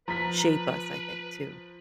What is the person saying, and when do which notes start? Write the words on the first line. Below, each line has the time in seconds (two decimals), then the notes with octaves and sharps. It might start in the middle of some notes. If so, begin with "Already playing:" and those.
shape us, I think, too.
0.08 F3 B4 A#5 B6